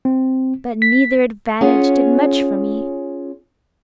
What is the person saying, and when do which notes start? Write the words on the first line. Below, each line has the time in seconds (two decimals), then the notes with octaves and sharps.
But neither advantage did much for me.
0.05 C4
0.82 B6
1.61 C#4 F4 G#4 C#5 F#5